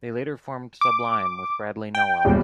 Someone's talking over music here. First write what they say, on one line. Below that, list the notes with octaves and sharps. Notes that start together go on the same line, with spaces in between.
They later formed Sublime with Bradley Nowell.
D6
G5
D#1 E2 G3